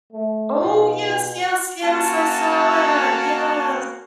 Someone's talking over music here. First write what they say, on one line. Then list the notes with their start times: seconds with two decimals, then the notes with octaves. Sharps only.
Oh, yes, yes, yes, I saw that, yes.
0.12 A3
0.60 B2 D#4 F4 C6
1.83 A#3 C#4 F#4 A5